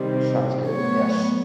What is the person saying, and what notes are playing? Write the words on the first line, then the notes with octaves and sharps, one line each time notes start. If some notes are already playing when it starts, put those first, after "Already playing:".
Sounds good, yes.
Already playing: C3 D#3 G3 C4
A2 F#3 B3 C#5